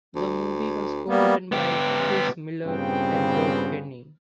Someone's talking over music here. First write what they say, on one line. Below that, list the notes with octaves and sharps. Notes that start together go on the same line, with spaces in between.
The movie was co-written by Chris Miller and Doug Kenney.
D2
G3 A#3 B3
B3 G4
G2 A#2 C#3 B3 C4 G5